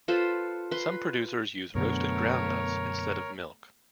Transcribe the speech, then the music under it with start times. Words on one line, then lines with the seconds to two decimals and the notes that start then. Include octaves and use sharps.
Some producers use roasted groundnuts instead of milk.
0.08 F4 A4 B4 C5
0.71 B4 C6
1.75 F#2 B2 D3 A3 B3 A#4 C#5